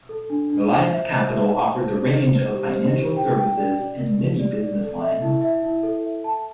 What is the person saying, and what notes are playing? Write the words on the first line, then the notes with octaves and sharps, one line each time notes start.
Reliance Capital offers a range of financial services in many business lines.
A4
D4
D4
C5
E5
C5
E5
A5
C5
C5
C5
C5
G4
C5
G4
G5
G5
D5
D5
A#4
G4
D5
D5
A4
E5
E4
E5
E4
A4
E5
A5